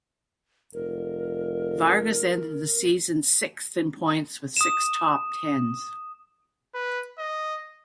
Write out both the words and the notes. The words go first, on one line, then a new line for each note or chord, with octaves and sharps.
Vargas ended the season sixth in points with six top tens.
F1 A#4
D#6 E7
B4
D#5